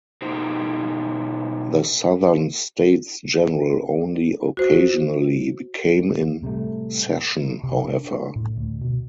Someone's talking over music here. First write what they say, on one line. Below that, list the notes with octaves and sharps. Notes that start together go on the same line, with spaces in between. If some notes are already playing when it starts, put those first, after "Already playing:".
The southern States General only occasionally came in session, however.
B2 D#4 G4 C5
F#4 C5
A2 C3 G3 A3
C3
D4
A2
D2
B2